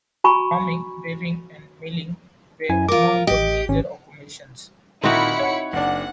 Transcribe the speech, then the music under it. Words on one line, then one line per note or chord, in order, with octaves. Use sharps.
Farming, weaving, and milling were among the major occupations.
F#4 G#5 A#5 B5 C#6
F#2 E4 G#5
F4 A#4 D6
A1 G4 D#5
G#1 C#4
A#2 D#3 C4 D#4 E4 F#4 B5 C#7
C#5 F#5
F#1 D4 F#5